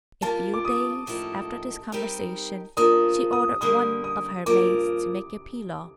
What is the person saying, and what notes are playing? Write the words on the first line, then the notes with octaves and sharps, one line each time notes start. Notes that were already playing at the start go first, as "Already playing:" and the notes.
A few days after this conversation she ordered one of her maids to make a pilaw.
G3 A#3 F4 A5
D6
D#6
A2 F3 A#3 D#4 A4
G3 C4 D#4 G4 A#4
F3 A#3 D4 D#6
D#6
D3 G3 A#3 D#6
D#6
G2 F3 A#3 D6